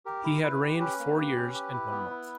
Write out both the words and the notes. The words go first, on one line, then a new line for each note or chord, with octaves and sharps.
He had reigned four years and one month.
G4 A#4
E4
E4 B4
G4
C#4 B4
A#3
G4
C#4
G4
E4
B3
E4